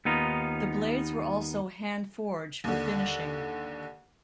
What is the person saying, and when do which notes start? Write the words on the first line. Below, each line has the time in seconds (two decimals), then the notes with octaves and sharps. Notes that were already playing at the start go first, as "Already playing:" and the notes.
The blades were also hand forged for finishing.
0.05 D#2 B3 D#4 F4
2.64 D#2 D3